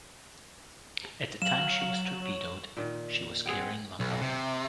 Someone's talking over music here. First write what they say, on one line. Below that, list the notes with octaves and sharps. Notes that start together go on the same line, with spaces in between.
At the time she was torpedoed, she was carrying lumber.
F#3 F5 E7 F#7
C#5
A#2 D#3
C4 G#4 F#5 G5
B1
C3